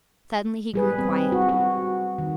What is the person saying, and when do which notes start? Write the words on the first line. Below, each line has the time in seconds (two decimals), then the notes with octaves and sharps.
Suddenly he grew quiet.
0.74 G3 G#4 B4
0.99 C4
1.32 F#4
1.49 F#4
2.18 D#3